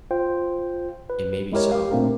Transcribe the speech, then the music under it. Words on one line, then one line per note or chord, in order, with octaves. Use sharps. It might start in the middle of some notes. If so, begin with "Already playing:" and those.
"It may be so."
F4 C5 G5
B4
G#3 E4 G4 A#4 C#5
G4 F5
A#2 A3 C4 D4 A#4